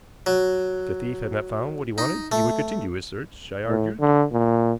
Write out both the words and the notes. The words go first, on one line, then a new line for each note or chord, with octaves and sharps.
If the thief had not found what he wanted, he would continue his search, I argued.
F#3
D#4
A3
A2
D3
A#2